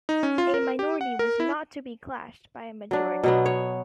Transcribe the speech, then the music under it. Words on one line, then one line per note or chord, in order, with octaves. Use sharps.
A minority was not to be clashed by a majority.
D#4
C#4
F4
A#4
G4
F#5
A#4
E4
F#3 D4
B2 F#3 B3
C#5